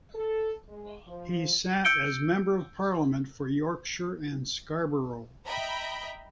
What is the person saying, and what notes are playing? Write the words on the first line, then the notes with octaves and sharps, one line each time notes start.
He sat as Member of Parliament for Yorkshire and Scarborough.
A4
G#3
F3
E6 G6 C#7 D7 G7
D#5 E5 G5 A#5 B5